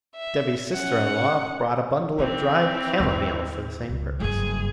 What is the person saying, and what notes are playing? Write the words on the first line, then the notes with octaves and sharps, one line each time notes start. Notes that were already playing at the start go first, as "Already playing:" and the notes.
Debby's sister-in-law brought a bundle of dried chamomile for the same purpose.
E5
C#4 F#5
E3 C4 C#4
D#2 D3
C#2
F#1 G2 G#4